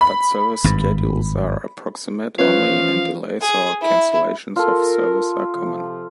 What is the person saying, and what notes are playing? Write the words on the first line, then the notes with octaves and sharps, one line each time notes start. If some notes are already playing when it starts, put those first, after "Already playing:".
But service schedules are approximate only and delays or cancellations of service are common.
B5
G#1 G2
E3 F3 C#4 F4 B4 C#5 F5
G#4
E4
F4 A4 A#4
C3 F3